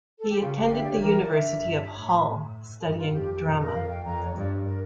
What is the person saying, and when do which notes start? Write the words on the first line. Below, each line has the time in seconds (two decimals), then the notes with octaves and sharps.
He attended the University of Hull, studying Drama.
0.19 A4
0.30 G4
0.40 C#3 F4
0.56 G4
0.65 F5
0.70 D3 E5
0.83 D5
0.92 C#5
1.01 E3 A#4
1.16 D5
1.32 D3 E5
1.62 G2
1.92 A2 C#5
2.83 G2 A#4
2.98 F4
3.14 F2 G4
3.34 G4
3.44 F2 A4
3.59 A#4
3.68 E5
3.74 F2 F5
3.89 G5
4.05 F2 A#5
4.19 C#5
4.34 G2 D5
4.65 A#4